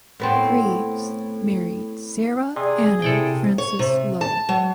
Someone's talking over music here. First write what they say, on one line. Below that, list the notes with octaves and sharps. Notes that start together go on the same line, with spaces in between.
Greaves married Sarah Anna Frances Lowe.
A2 B3 C4
C3 G#4 D5
C3 E4 A4 D5 G5
C#5
C3
A5
F#3